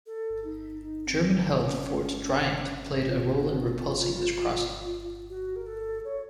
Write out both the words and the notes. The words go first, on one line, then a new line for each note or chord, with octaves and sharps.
German-held Fort Driant played a role in repulsing this crossing.
A4
D#4
D#4
C4
C#4
F4
F#4
F4
F#4
A#4
A4
C#5